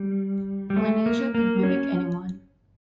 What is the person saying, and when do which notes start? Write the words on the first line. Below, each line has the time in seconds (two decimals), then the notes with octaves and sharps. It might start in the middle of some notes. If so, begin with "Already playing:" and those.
Polynesia could mimic any one.
Already playing: G3
0.70 G3
0.76 A3
1.06 A#3
1.35 A#3
1.63 C#4